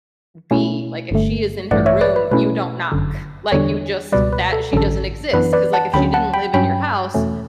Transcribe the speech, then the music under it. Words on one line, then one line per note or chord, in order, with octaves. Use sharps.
be like, if she is in her room, you don't knock, like, you just that she doesn't exist. 'Cause, like, if she didn't live in your house,
B2 A3 C#4 E4
G1 G2 D3 A3
A1 G2 E3 A3 D5 F#5
C#5 E5
B4 D5
B4
B2 A3 C#4 E4 B4
G1 F#2 D3
E2 D3 G3 D4 A4 C#5
C#2 B2 G3 B4 D5
B4
A4
A1 G2 D3 F#3 C#4 A4
F#2 E3 B3 D4 B4
B4 D5
F#5 A5
D2 D3 F#3 C#4 G5 B5
F#5 A5
G5 B5
G2 F#3 C#4 G5 B5
E2 B2 A3 C#4